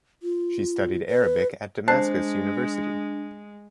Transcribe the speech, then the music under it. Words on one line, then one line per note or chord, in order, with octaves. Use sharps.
She studied Arabic at Damascus University.
F4
B4
G#3 D4 C5 A5 F#6 C7